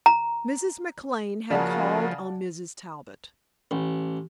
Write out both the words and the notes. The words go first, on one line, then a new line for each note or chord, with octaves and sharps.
Mrs. McLane had called on Mrs. Talbot.
A#5
C#3 F3 A#3 F#4 D5 F#5 A5
A1